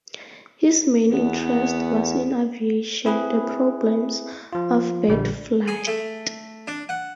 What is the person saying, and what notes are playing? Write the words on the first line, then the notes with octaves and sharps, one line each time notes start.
His main interest was in aviation, the problems of bird flight.
E2 B3
C4 E4 G#4 B4
F3 F4
A#1 D3 G3
G#4
A3
D4
F#5